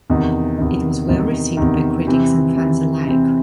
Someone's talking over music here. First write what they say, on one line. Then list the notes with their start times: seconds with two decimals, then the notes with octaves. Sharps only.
It was well received by critics and fans alike.
0.10 E2 C3 D#3
0.58 E2 C3 D#3
1.08 E2 C3 D#3
1.57 E2 C3 D#3
2.07 C3 E3 C4
2.56 C3 E3 C4
3.06 C3 E3 C4